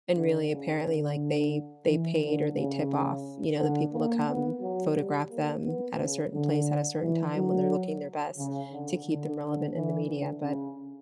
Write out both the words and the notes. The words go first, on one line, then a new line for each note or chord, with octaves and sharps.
And really apparently, like, they they paid or they tip off, you know, the people to come photograph them at a certain place at a certain time when they're looking their best to keep them relevant in the media, but,
D3
C#3
D3
E3
D3
C#3
D3
A#3
B3
F#3
G3
A#3
B3
C#3
D3
E3
F#3
C#3
D3
D3
D3
E3
D3
C#3